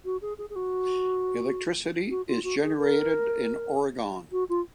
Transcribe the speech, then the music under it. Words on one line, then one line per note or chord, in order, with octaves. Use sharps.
Electricity is generated in Oregon.
F#4
G#4
G#4
G#4
F#4
F#4
F4
F#4
G#4
A#4
F#4
F4